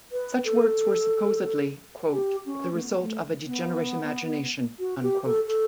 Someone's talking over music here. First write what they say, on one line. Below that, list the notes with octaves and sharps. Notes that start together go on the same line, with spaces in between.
Such works were supposedly "the result of a degenerate imagination".
B4
A4
G4
C#4
A3
B3
A3
B3
F#4
G4
A4
A4